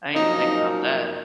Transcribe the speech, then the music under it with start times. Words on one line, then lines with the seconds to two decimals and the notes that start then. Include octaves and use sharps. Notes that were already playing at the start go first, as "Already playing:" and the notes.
I didn't think about that.
0.14 F#2 F3 A#3 D#4